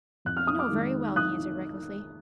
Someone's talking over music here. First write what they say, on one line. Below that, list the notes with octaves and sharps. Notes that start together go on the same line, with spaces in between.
"You know very well," he answered recklessly.
F2 F#6
F6
D#6
D6 F6
D#3 G#3 D#4
D#6 F#6